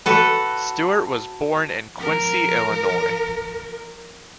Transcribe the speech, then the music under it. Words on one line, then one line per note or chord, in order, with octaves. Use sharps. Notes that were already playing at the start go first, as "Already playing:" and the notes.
Stewart was born in Quincy, Illinois.
F#4 A4 B4
F3 A#4